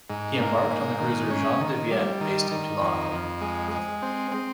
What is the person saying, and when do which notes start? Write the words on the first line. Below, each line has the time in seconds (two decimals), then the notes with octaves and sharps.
He embarked on the cruiser Jean de Vienne based in Toulon.
0.10 G#2
0.40 A#3
0.71 G#2
1.00 D#3
1.30 C#4
1.61 D#3
1.91 G3
2.21 D#3
2.51 D#3
2.81 F2
3.11 F2
3.41 G#3
3.72 G#3
4.02 C4
4.32 C4